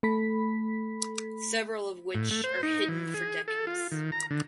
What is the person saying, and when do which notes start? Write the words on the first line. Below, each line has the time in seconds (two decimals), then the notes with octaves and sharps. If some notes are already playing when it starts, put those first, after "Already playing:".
Several of which are hidden for decades.
0.03 A3 A4 B5 B6
2.15 A2
2.31 A3
2.44 C5
2.63 D#4
2.89 E3
3.14 G#4
3.48 A4
3.67 F4
3.91 D#3
4.12 A#5
4.31 D3